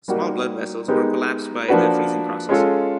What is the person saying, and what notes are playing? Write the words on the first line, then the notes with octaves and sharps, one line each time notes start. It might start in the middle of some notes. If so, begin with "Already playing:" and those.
Small blood vessels were collapsed by the freezing process.
G3 A#3 D#4 F#4
G#3 B3 D#4 G4 A#4
F3 A#3 D4 F#4 B4
G#3 C#4 F4 A4